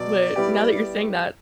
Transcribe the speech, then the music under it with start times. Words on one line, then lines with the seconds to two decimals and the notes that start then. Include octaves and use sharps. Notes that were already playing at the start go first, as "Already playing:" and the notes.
but, now that you're saying that
Already playing: B2 F#3 D5
0.36 G3 B3 E4 G4